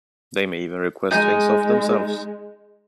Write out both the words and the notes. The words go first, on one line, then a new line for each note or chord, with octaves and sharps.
They may even request things of themselves.
G#3 D#4 D#5 G#5